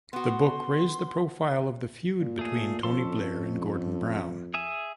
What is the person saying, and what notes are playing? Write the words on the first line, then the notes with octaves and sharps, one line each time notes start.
The book raised the profile of the feud between Tony Blair and Gordon Brown.
B3 F#4 C6
A#2
A3 G#4
F3 C#4 A4 C6
F2
G#4 E5 G#5